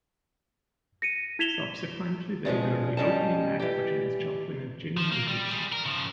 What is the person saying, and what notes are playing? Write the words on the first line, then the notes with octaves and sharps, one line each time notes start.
Subsequently, they were the opening act for Janis Joplin and Jimi Hendrix.
A#6 C#7 D#7
E4 G#6 B6 E7 F7 G7
E2 C#3 F3 G#3
C#3 G3 C#4 D#5 A5
E3 G4
F3
A#3
G3
G3 G#4
A#4
C#3 F3